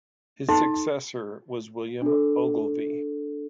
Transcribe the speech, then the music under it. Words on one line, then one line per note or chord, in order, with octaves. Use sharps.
His successor was William Ogilvie.
D#4 A5
D4 A4